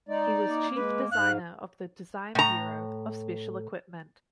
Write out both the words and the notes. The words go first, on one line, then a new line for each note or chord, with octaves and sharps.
He was chief designer of the design bureau of special equipment.
G#3 D#4 D5
A#3
G#3 B4
G#2 F5 F#6
A2 A#5